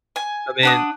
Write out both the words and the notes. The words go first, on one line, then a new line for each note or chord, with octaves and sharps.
I mean,
G#5
D4 F#5 D#6